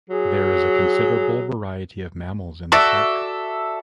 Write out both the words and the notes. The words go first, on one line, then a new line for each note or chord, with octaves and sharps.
There is a considerable variety of mammals in the park.
F#3 G#4
F#4 A4 D5 E5